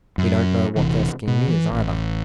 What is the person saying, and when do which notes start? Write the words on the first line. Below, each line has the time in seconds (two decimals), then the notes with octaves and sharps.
We don't know what their scheme is either.
0.18 F#2
0.76 D#1 C3 E3
1.28 B2
1.48 E3
1.71 A1